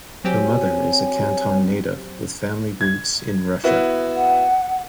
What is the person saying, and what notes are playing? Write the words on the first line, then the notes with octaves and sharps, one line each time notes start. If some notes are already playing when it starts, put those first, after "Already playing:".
Her mother is a Canton native with family roots in Russia.
F#3 C4 G4 C#5 G#5
G#6
B3 E4 F#4
F#5